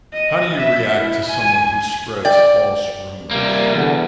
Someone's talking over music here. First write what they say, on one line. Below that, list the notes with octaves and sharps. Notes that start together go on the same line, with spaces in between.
How do you react to someone who spreads false rumors?
D#5
E5
E4
G#5
D5 G5
C3 G3 A#3
E2 D3